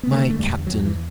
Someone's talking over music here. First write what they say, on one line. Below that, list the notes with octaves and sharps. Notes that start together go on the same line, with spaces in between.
My Captain!
B3
D3 A3
A3
E2 G3
E2 F#3
E3